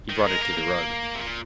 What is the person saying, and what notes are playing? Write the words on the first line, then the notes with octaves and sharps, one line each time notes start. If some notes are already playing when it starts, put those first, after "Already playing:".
He brought it to the rug.
D#3
G#3 A#4
A#3
A#3
C3
A#2